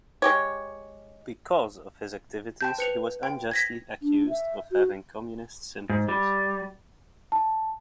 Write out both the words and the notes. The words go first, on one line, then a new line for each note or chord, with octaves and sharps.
Because of his activities, he was unjustly accused of having communist sympathies.
G#3 G4 C#5
G5 A5 G6
B4 C#7 F7
G5
G#6 A#6 B6
D4
E5
F#4
G#2
G3
A5